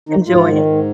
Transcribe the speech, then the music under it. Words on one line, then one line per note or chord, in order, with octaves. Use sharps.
Enjoy it.
D#3 D#4
G#2 F3 F4
D#3
G#2